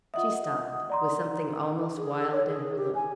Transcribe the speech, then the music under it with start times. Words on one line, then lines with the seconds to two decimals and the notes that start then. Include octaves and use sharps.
She stopped, with something almost wild in her look.
0.14 F4 D#5 E5 F#5 D#6
0.90 D5 A#5 C6
1.97 G#4
2.19 A4
2.32 C#5
2.47 G#4
2.76 G4
2.95 G#5